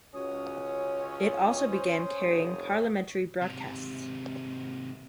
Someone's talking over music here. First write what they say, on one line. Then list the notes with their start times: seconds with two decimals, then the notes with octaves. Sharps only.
It also began carrying parliamentary broadcasts.
0.15 C#2 C#4 F#4 C#5 D#6
1.69 C5
2.19 F1
3.41 G#2 C3